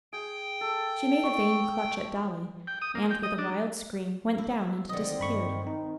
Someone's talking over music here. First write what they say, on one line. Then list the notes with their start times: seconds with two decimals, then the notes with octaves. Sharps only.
She made a vain clutch at Dolly, and, with a wild scream, went down, and disappeared.
0.13 G#4 G5
0.61 A4
1.23 C#6
2.67 G5
2.82 D#6
2.95 A#3
3.11 G5
3.23 D#5
3.38 D4
4.38 E4
4.89 D3 D#3 C4 D#5
5.20 G2 B5 C#6
5.67 D#4